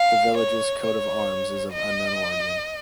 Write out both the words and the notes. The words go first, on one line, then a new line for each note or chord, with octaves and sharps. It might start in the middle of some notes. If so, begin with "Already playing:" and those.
The village's coat of arms is of unknown origin.
Already playing: F5
C#5
C#5
D#5